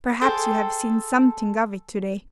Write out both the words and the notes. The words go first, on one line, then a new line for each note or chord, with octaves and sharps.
Perhaps you have seen something of it to-day.'
G#4 A4 C5 G5